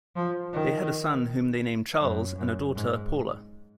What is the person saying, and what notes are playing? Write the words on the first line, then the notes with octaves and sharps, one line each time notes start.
They had a son whom they named Charles, and a daughter, Paulla.
F3
D#3
F#2
F#2
G#2